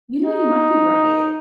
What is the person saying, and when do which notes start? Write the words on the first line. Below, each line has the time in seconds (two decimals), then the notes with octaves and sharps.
You know, you might be right.
0.25 D#4